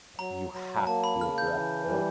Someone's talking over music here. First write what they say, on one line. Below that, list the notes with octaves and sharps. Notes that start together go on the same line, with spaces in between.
you have to address it.
F#3 A#5
F#3
A#3 A5
B5
C#3 F6
G6
E3
G3